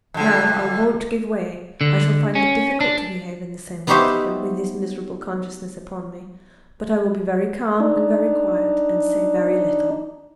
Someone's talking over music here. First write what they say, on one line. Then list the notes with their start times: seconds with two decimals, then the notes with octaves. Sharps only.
Now I won't give way. I shall find it difficult to behave in the same way to him, with this miserable consciousness upon me; but I will be very calm and very quiet, and say very little.
0.14 F2 D3
1.81 D3
2.35 C#4
2.81 D4
3.87 B3 D#4 F#4 G4 C5 E5
7.80 D4 D#4